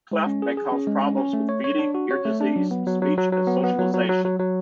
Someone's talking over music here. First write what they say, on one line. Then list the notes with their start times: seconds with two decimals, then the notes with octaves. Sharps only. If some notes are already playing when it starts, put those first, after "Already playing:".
Cleft may cause problems with feeding, ear disease, speech and socialization.
0.11 G#3
0.27 C#4
0.42 G#4
0.57 G#4
0.72 C#4
0.87 G#3
1.02 C#4
1.18 C#4
1.33 A3
1.49 C#5
1.64 C#5
1.79 D4
1.94 F#4
2.11 C#5
2.25 A3
2.41 D4
2.56 F#3
2.71 B3
2.87 F#3
3.02 F#3
3.18 F#3
3.32 F#3
3.47 B3
3.64 B3
3.79 F#3
3.94 F#3
4.09 F#3
4.25 F#3
4.39 F#3